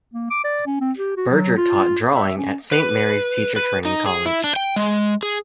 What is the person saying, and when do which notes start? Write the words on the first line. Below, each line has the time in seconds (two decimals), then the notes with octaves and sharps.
Berger taught drawing at Saint Mary's teacher training college.
0.14 A#3
0.30 D6
0.44 D5
0.67 C#4
0.81 C4
0.98 G4
1.17 F#4
1.31 F#3
1.57 F4
2.16 E5
2.38 C#4
2.72 B4
3.56 B4
3.85 D#4
4.06 G#4
4.26 E4
4.44 D4
4.56 G5
4.76 G#3
5.23 G#4